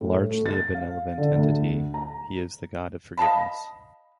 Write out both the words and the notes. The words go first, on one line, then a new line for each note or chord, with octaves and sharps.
Largely a benevolent entity, he is the god of forgiveness.
A2
A3
A6
F5
D3
D2
A#5
D#5 F5 A5 B5